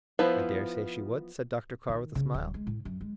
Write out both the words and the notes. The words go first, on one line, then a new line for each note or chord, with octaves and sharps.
"I dare say she would," said Dr. Carr, with a smile.
F3 B3 E4 B4 C5
D#3
C#3
D1
G#3
A2
F#2
G#3